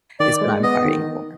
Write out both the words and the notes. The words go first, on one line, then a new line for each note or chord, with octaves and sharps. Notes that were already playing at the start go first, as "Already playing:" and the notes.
is what I'm fighting for.
D#3 D5
G#3
B3 D#5
D#3